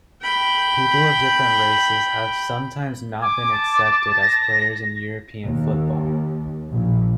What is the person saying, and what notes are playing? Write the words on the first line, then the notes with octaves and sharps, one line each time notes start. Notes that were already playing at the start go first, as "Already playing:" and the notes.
People of different races have sometimes not been accepted as players in European football.
G5 B5
G#5 D6
A5
A#6
D#2
A#1